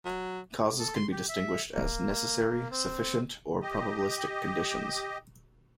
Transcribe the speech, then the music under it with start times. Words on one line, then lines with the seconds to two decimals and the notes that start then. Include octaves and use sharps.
Causes can be distinguished as necessary, sufficient or probabilistic conditions.
0.05 F#3
0.79 A4
0.95 C6
1.12 G4
1.29 E5
1.74 A#3
2.71 C4
3.61 G4 D#5